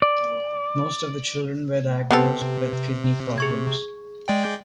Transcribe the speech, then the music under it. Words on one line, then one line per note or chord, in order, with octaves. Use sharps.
Most of the children were diagnosed with kidney problems.
D5
C3 B3 C4 G4 A4 B4
G#4 C#6 G#6
G#3 D5 G5